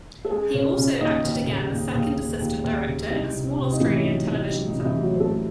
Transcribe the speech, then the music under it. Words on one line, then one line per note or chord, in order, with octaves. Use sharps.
He also acted again as second assistant director in a small Australian television film.
A4
G#3 G#4
C#3 C#4
C#3 C#4
D#2 D#4
D#2
C#3
D#2
D#2
D#2
D#2
D#2
C#3
C2 D#4
C3
C3
D#4
E3 A3 E4
C#4
F#3 D#4
C2 D#4
F#3 D#4
D#4
C3
D#4
E3 E4
A3
F#3 F#4
C5
C2 A3 A4